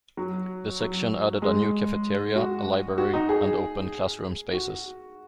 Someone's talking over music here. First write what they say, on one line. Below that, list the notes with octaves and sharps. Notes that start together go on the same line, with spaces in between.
The section added a new cafeteria, a library, and open classroom spaces.
F#3
F#3
G#3
F#4
F#4
D#4
G#4
F#4